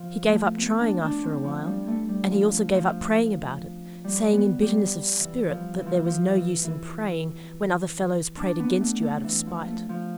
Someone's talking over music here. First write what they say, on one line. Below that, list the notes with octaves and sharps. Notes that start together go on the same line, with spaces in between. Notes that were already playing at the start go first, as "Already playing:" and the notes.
He gave up trying after awhile; and he also gave up praying about it, saying in bitterness of spirit that there was no use in praying when other fellows prayed against you out of spite.
Already playing: F3
A3
B3
D4
D4
C4
F3
G3
A3
G3
F3
F3
G3
B3
G3
E3
F3
E3
F3
E3
F3
E3
E3
D4
B3
A3
A3
E3
F3
A3
F3